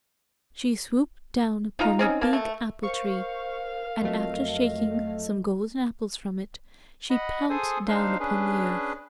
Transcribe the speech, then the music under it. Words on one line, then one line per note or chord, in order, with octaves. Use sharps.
She swooped down upon a big apple-tree, and after shaking some golden apples from it, she pounced down upon the earth.
D#4 F4 A#5
C4 C#4 D#4
A#3 A5
A3
A#4 C5 F5 C#6
F2 F#3 A3 D#5
D#5 F#5 B5
G#4 A4 C5 G#5 D#6
D4 D#4 C5 F5
C#4 D4 G#4 B4